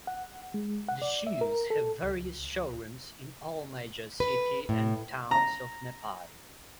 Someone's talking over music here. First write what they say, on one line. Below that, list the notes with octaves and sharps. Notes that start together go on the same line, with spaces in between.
The shoes have various showrooms in all major city and towns of Nepal.
F#5
G#3
F#5
D5
E5
A#4
A4
C#2
B4
A2
A#5